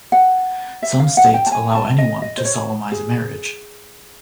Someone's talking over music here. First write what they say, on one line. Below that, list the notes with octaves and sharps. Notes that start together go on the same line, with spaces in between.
Some states allow anyone to solemnize a marriage.
F#5
E5
F5
F#5
G5
A5
G#5
A5
D#5
D#5
C5
C#5
G#4